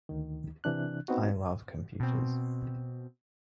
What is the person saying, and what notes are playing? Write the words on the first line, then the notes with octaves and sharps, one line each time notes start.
I love computers.
D2 D#3
C3 E3 D4 F#6
B3 C4 D#4 F#4
B2 C4